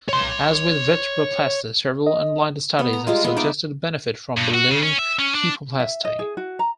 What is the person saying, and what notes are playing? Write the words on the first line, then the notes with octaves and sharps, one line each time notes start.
As with vertebroplasty, several unblinded studies have suggested a benefit from balloon kyphoplasty.
C#5 C6
D#5
B3
A#5
G3 G#3 F4
G#3 B3 F4 B4
D#4 D5 E5 D6
G2
F#4
C#3
C#4
E5
C#4
D4
E5
D#5
G#4
F#4
A#5